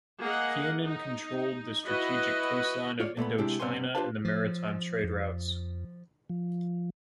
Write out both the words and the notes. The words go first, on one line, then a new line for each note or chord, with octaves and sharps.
Funan controlled the strategic coastline of Indochina and the maritime trade routes.
A#3 G#4 D#5 F#5
D#4
E4 F#4 B4 D#5
F4 C#5 D5
A#2 A3 B3 B5
C3 G#3 D4 E4 G4
G2 C3 B3 C#5 G#5 C6
D4 F4 G4 B4 F5 A5
F3
F2
F3